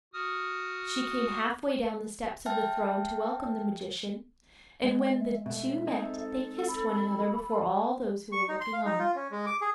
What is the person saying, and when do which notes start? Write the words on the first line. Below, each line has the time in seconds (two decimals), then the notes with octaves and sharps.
She came half-way down the steps of the throne to welcome the magician, and when the two met they kissed one another before all those who were looking on.
0.13 F#4 D#6 F6
2.46 E5 G5 A5 F6
4.84 G#3
5.20 E5
5.46 B2 A3 E5
5.87 C4 D#4 G#4 A4
6.68 B5
8.32 C#6
8.48 D#4
8.61 C6
8.73 F5
8.86 D#4
8.99 F4
9.15 C#4
9.31 G#3
9.46 D6
9.61 G#4